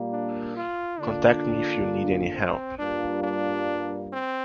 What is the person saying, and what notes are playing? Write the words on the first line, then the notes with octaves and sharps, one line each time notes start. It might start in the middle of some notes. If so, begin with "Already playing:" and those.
Contact me if you need any help.
Already playing: A#2 G3 A#3
D4
F4
D3 A#3 D4 F4
C4
G2 G3 A#3 D4 F4
D4
C4